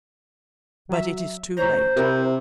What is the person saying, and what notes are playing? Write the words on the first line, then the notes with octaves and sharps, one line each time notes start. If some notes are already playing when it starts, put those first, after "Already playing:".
But it is too late.'
F#3 E5
A1 C5 C#5 A#5
C3 C4 E4 A#4